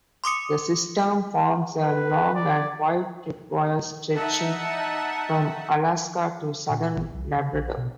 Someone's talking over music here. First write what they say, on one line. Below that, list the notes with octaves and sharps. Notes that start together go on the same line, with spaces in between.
The system forms a long and wide "tripwire" stretching from Alaska to southern Labrador.
C6 D6 D#6 C#7
B4
D5
D#4 E5 F#5 A5
A#2
G#1
C2
C#3
A#1
B2